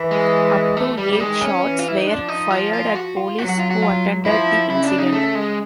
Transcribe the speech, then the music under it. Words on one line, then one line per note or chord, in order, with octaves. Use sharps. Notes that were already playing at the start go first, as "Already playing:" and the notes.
Up to eight shots were fired at police who attended the incident.
Already playing: E3
G#3
A3
G3
G3
D#3 G#3
C#4
E3
F4
E4
D#4
F3 D4
D#4
F4
F4
F#4
F4
F#3 F#4
F#4
F4
F#4
F4
F3 E4
C#3 E4
D4
D#4
A3
G#3